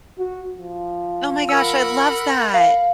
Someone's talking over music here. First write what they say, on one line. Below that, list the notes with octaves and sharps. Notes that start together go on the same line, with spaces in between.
Oh my gosh, I love that.
F#4
F3
A#4 F#5 B5 E6
F5